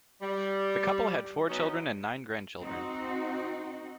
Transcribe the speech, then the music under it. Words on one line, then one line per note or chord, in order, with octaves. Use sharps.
The couple had four children and nine grandchildren.
G3
F#3 B3 C#4 D#4
C4 D#4 F#4